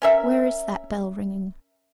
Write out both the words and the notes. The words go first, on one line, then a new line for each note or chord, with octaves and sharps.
Where is that bell ringing?
C#4 A#4 E5